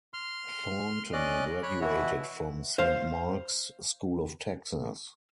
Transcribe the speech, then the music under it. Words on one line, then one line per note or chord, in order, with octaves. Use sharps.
Thornton graduated from Saint Mark's School of Texas.
C6 F6
C#4 D5 D#5 F#6
C#5 B5 F#6
B2 E3 E4 F#4
C5 F5